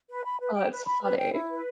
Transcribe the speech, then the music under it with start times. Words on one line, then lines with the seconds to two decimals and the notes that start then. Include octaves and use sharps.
Oh, that's funny.
0.10 B4
0.26 B5
0.41 B4
0.55 G5
0.72 B4
0.87 B5
1.03 B4
1.18 G5
1.33 E4
1.49 B4